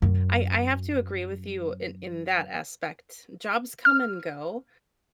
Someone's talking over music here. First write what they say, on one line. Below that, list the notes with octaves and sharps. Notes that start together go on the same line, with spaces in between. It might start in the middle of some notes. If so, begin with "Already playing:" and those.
I I have to agree with you in in that aspect. Jobs come and go
F#2 F#3
F6